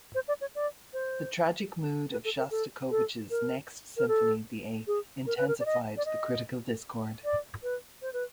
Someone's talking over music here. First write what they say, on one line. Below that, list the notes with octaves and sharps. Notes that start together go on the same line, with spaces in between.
The tragic mood of Shostakovich's next symphony, the Eighth, intensified the critical discord.
C5
D5
C#5
D5
C5
B4
A4
A#4
A4
A4
A#4
A#4
A4
G#4
A#4
B4
A#4
D5
D#5
D5
D#5
D5
B4
C5
B4